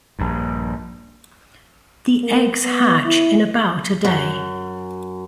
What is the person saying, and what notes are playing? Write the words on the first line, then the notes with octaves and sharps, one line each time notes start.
The eggs hatch in about a day.
A#1 G2
A#3
B3
E4
F#2